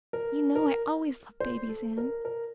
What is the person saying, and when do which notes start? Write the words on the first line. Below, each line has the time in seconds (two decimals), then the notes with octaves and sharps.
You know I always loved babies, Anne.
0.13 A#4
0.56 A#4
1.40 C5
1.69 A4
1.98 A#4
2.25 A#4